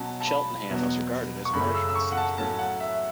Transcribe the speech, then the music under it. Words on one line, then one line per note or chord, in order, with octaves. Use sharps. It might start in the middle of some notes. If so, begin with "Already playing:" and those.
Cheltenham was regarded as a marginal seat.
Already playing: B2 F#3 C#4 A5
A5
B5
E2 B2 F#3 B3
C#6
F#2 C#3 A3 C#4 B5
E6
E6
C#6
F#5
A5
A2 F#3 A3 C#4 A5
F#5
E5